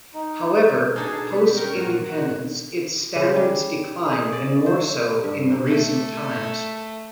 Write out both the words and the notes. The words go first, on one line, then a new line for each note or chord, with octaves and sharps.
However, post independence its standards declined and more so in the recent times.
D#4
B2 D4 D#4 G#4 A4
B3
C#4 A#4 G5
A#2 F#3
F#4
C#3
G3
G#4
D5
C5
G2
A3